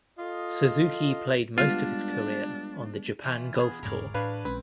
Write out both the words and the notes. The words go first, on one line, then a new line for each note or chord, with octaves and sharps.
Suzuki played most of his career on the Japan Golf Tour.
F4 A4 D#5
G3 G#3 B3 D4 F4
B2 E3 F4
B3 G#4
E1 G#2 C4 A#4 C#5 D5
A2 D4 B4 C#5 F5
A#1 G#3 C4 C#4 B4